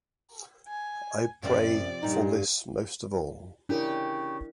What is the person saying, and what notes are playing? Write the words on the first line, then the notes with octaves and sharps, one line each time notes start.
I pray for this most of all.
G#5
F#2 C3 F3 C4 D5
G2 A#2 G3 D#4
C#3 D4 E4 G4 A#4